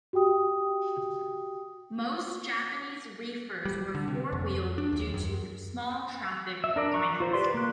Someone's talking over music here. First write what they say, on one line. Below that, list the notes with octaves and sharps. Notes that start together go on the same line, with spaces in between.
Most Japanese reefers were four-wheeled due to small traffic demands.
F#4 G4 G5 D#6
G3
D3
C3
F2
D4
D#2
F#2
E5
D4 A#4 D5
A#5 C#6 F#6
F4 C5
G4 B4 D5 C6
A#3 F#6